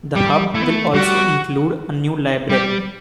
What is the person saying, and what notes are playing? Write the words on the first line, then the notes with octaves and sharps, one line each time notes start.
The Hub will also include a new library.
G3 G4
A3 E4
B3
A3
G3 F#4
G3 G4